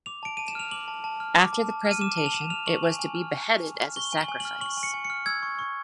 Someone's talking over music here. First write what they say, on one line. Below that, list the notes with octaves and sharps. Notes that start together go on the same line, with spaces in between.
After the presentation, it was to be beheaded as a sacrifice.
D6 F7
A5 D7
A5 D#7
E7
F6 F7
D6 F#7
A5
A5
F6
D6
A5
A5
F6
D#7
D6 E7
A5 D#7
F7
A5 E7
F6 F7
C#6 F#7
G#5
G#5
F6
C#6
G#5
G#5
F6
C#6 G7
G#5
F#7
G#5
F#7
F6
C#6 F#7
G#5
C#7
G#5
C#7
F6
E6 G#6
C#6
C#6